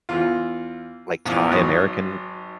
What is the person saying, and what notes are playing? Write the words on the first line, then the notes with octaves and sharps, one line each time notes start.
like, Thai-American
E2 F4
A#1 E2
G#1 F#3 D#6